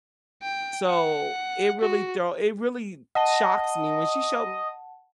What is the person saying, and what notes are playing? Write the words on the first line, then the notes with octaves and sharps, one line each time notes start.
so it really throw it really shocks me, when she showed
G5
F#5
F#4
D#5 F#5 A5